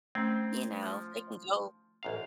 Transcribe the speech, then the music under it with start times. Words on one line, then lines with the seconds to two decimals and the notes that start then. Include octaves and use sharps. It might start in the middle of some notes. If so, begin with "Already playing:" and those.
you know they can go
0.15 A3 C4 C#4
0.83 F3
2.03 A1 F#2 F5